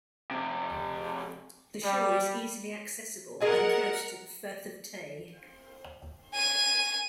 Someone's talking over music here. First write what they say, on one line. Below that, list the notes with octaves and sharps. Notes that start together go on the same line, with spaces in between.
The shore is easily accessible and close to the Firth of Tay.
F2 C3
G3
G#4 A#4 D#5 F#5 G#5
G#5 D#7